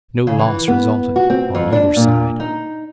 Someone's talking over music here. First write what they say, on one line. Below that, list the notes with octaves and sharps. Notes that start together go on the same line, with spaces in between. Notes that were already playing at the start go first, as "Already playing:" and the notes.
No loss resulted on either side.
C#3
E3
B3
F#4
C4
F2
D4
A#2
D#4